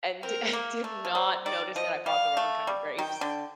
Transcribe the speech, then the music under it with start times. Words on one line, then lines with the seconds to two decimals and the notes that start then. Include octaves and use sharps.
and di and did not notice that I bought the wrong kind of grapes.
0.23 C4 A#4
0.53 A#3
0.84 A3
1.05 F3
1.14 G3 C5
1.45 D#3 D5
1.76 F3 D#5
2.06 G3 F5
2.37 A3
2.67 G3
2.99 D#3 G5
3.21 D3